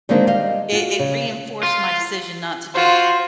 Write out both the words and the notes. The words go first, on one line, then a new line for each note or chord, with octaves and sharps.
it it reinforced my decision not to do it.
D3 D#3 G#3 A#3 C4 D4
G3 D#5 F5
F4 F#4
C#3
F4
F4 F#4 C5